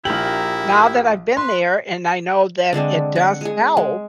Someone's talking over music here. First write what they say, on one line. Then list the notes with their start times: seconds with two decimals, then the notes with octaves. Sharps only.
now that I've been there and I know that it does help,
0.05 A#1 E4 G4 A#4 F5 F#7
1.37 B4 C6
2.73 D3 G#3 C4 D4
3.16 F#5
3.41 G#3 G#4
3.77 G#3